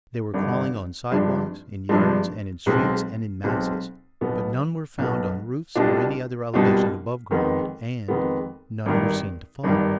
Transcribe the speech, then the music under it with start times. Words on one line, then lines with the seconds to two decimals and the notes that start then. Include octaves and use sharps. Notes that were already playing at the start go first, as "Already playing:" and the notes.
They were crawling on sidewalks, in yards, and in streets, and in masses--but "none were found on roofs or any other elevation above ground" and "none were seen to fall."
0.34 G#1 G2 D3
1.11 G#1 G2 F3 G#3 D4
1.89 G#1 G2 F3 G#3 D4
2.66 B1 B2 G#3 C4
3.44 B1 B2 G#3 C4
4.21 B1 B2 B3
4.98 B1 B2 B3
5.75 C2 B2 G3 D4 F4
6.53 C2 B2 G3 D4 F4
7.31 F2 D#3 G#3 B3
8.08 F2 D#3 G#3 B3
8.86 G#1 G2 D#3
9.64 G#1 G2 D#3